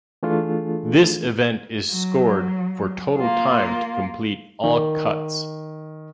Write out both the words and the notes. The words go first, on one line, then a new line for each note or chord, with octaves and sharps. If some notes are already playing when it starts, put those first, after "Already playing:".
This event is scored for total time to complete all cuts.
E3 A3 D4 F4 G#4 A4
F#3
A#3 F4
D#3